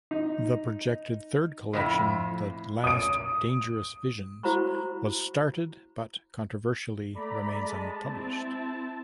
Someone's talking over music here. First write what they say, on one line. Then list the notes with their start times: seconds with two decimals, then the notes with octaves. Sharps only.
The projected third collection, "The Last Dangerous Visions", was started, but controversially remains unpublished.
0.11 D#4
1.73 F2 A2 C3
2.84 D#6 D7
4.43 E4 F#4 C5 A#5 B5 C#6
7.14 A3 D5 A#5 B5
7.66 G#3 A5
8.08 C4 E4